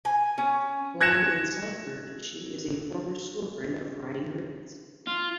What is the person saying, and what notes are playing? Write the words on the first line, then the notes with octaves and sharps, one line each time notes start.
Born in Salford, she is a former school friend of Ryan Giggs.
G#5
C#4
F#6 G#6 A#6 C#7 E7
F4